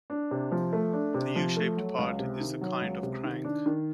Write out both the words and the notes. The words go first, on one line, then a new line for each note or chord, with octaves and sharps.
The U-shaped part is a kind of crank.
D4
C3
F3
A3
D4
C3
F3
A3
F#3
C#2
C3
D#3
F#3
C#2
C3
D#3
D4
D#3